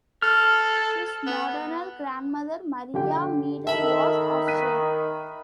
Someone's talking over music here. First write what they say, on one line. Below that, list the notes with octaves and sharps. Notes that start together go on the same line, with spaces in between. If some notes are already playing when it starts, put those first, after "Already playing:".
His maternal grandmother, Maria Meder, was Austrian.
A4 F6
B3
D3 G4 G5
D#3 A4 A#4 E5 B5
F#6 B6 D#7